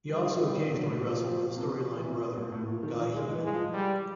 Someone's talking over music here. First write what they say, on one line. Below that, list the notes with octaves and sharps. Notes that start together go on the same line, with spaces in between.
He also occasionally wrestled with a storyline "brother" Guy Heenan.
E3 G3
D#3
E3
D#3 G3
B2
A#2 F#3
A2
A#2 F3
A#2
A#2
C3
B2
E3
B2
C3
B2
A#2
A2
A#2
D#3
E3
D#3 G#3
E3
G#3
F3
G3